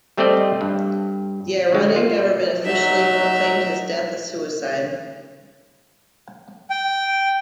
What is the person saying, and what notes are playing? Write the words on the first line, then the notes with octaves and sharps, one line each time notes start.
The Iranian government officially proclaimed his death a suicide.
G3 A3 C4 C5 D5 D#5
G2
D2 G#3
F4
F#3 D#4 E5
G5